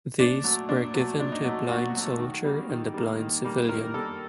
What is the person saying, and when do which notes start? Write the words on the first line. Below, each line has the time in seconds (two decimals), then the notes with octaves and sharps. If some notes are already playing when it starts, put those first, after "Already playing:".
These were given to a blind soldier and a blind civilian.
0.19 A#2 D4
0.44 F#3 A3
0.69 A#2 D4
0.94 F#3 A3
1.19 A#2 D4
1.32 D#4
1.44 F#3 A3
1.69 A#2 F#4
1.95 F#3 A3
2.19 D#3
2.44 G3 A#3
2.70 D#3
2.94 G3 A#3
3.19 D#3
3.44 G3 A#3
3.69 D#3 A#4
3.94 G3 A#3 A4